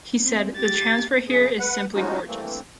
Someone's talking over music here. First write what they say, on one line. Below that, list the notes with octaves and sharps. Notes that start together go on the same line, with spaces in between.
He said, the transfer here is simply gorgeous.
C4
G4 A6
F#2 C#3 G#4
B4 F#5
F3 G3 G#3 C#4 D#4 F#4
G2 E3 A3 A#3 C4